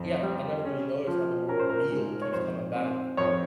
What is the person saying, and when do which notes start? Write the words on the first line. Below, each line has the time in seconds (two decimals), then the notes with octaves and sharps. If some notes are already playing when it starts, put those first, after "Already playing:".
yeah, I never really noticed how the word "real" keeps coming back, but
Already playing: F2
0.23 G3
0.65 C#4
1.07 F3
1.49 C#4 A#4
1.59 C5
1.69 A#4
1.91 G#2
2.22 C#5
2.33 F2 C5
2.76 C4
3.17 F2 C#5